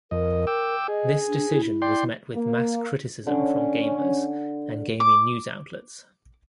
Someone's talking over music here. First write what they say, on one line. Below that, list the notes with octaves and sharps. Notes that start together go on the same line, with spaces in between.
This decision was met with mass criticism from gamers and gaming news outlets.
F2 A#4 D#5
G5 D6 E6
G#4 D#5
D4
E4
D5 G5 C6
A#3
D3 C#4
D6